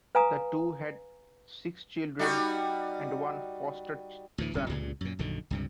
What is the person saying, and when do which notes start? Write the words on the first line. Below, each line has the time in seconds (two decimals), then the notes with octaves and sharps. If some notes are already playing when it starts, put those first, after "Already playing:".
The two had six children and one foster son.
0.15 B4 F5 G#5 A#5 D#6
2.19 G3 D#4 F#4
4.38 D2 A2 E3
4.54 D1 C2 G2 C#4
4.70 C#2 G2 A#2 C#3
5.01 F#2 A#2
5.19 A#1 F#2 D3 D#3
5.51 C#2 G2 C3